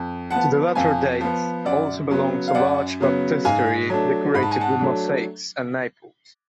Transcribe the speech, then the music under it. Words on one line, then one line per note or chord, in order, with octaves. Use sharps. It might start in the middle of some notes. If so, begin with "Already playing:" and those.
To the latter date also belongs a large baptistery decorated with mosaics at Naples.
Already playing: F2
F3 B3 F#5 A5
F2 F5 G#5
F3 B3
F#2 D5 F#5
C#3 F#3 B3
F5
F#2 D5 F#5
C#3 F#3 B3
G#2 F5 G#5
F#3 A3 D4
G#2 B5
A5
G#5
F#5 A5
F#3 A3 D4